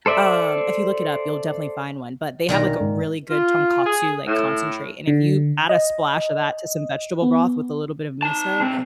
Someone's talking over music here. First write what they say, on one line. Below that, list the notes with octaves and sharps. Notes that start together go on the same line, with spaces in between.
Um, if you look it up, you'll definitely find one, but they have like a really good Tonkatsu like concentrate, and if you add a splash of that to some vegetable broth with a little bit of miso,
A4 C5 D5 E5
B1 A#2 D#3 A#5
G#2
F4
G#4
A2
D3
D#5
B3
D#4 A5
B1 C4